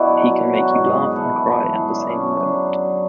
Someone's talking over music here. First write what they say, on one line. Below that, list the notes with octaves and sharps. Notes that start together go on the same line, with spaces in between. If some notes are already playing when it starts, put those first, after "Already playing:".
He can make you laugh and cry at the same moment.
Already playing: B2 B3 D4 E4 F#4
F#3
F#3
F#3
E3 F#4
G#2
G#2 G#4
G#2
E3 A4 B4
E3
G#2 A4
E3
F#3 G#4
D4
D3 E4
F#2 C#4
F#3
F#3 D4
F#2
D3
F#3